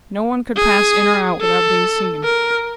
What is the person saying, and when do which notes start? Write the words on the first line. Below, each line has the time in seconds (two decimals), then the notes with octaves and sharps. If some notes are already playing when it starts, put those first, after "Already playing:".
No one could pass in or out without being seen.
0.57 G#4
1.40 A4
2.24 A#4